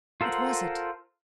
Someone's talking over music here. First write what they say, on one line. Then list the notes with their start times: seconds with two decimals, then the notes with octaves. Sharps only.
What was it?
0.21 F4 A4 A#4 C5 F#5